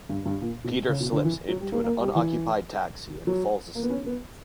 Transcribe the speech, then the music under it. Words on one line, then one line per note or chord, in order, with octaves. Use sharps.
Peter slips into an unoccupied taxi and falls asleep.
G2
G2
A#2
B2
C#3
B2
D3
E3
F#3
G3
A#3
A#3
G3
E3
F#3
A#3
B3
C#4
B3